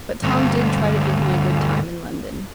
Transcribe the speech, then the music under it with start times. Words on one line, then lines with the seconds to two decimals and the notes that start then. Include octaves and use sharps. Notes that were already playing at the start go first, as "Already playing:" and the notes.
But Tom did try to give me a good time in London.
0.23 D2 G2